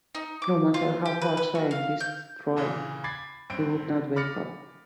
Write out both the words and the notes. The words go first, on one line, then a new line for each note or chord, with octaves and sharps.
No matter how hard scientists tried, he would not wake up.
D#4
D6
F4
G4
B4
B4
F#4
F5
G6
A#2 C#3 E3
B5 D6 G#6 A6 C7
A1 G2 C4 D7
B5 D6 F6 A6 A#6 C#7